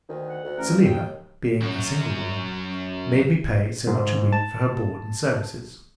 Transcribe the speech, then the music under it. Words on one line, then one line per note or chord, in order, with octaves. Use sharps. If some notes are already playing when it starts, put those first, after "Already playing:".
Selina, being a single woman, made me pay so much a week for her board and services.
D2 D#3
F#5
D2
A1 A#4
G2
D#2 G5
F#2 F#3
G#2
A5